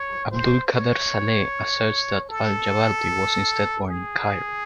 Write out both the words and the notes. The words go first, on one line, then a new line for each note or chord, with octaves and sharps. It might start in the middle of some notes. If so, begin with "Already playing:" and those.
Abdulkader Saleh asserts that Al-Jabarti was instead born in Cairo.
Already playing: C#5
C5
C#5
A4
G#4